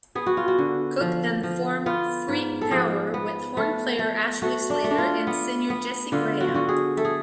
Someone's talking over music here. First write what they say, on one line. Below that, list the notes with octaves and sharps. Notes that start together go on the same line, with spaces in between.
Cook then formed Freak Power with horn player Ashley Slater and singer Jesse Graham.
B3 G#4
F#4
F4
F#4
D3
F3
F3
B3 F4
G#2
A4
F3 G#4
B3
A3
A3
A3 F#4
D4
A3
D4
F4
B3
B3
D3 F4
F#4
F4
D3 F#4
G#4
A3 A4
G#4